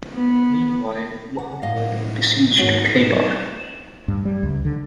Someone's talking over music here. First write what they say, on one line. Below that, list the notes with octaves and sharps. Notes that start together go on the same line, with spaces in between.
Meanwhile, Muhammad besieged Khaybar.
B3
F#5
A2 D#5 F5
D#2 G#2 D#4 F#4 C#5
G#2 D#4 B4
G2
G3
C#2
D3